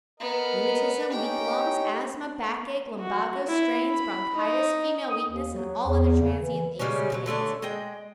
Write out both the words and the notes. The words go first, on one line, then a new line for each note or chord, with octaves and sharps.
Rheumatism, Weak Lungs, Asthma, Backache, Lumbago, Strains, Bronchitis, Female Weakness and all other transient aches and pains.
B3 A#4 D#5
C#4 D#4 G4 G5
F#4
E4
B5
D#4
D#6
D#2
F#3
E2
C#3
E3
C#3 G3 G#3 C#4
B2 F3 F#3
D3 A3 C#4 D4
G#3 D#5 G5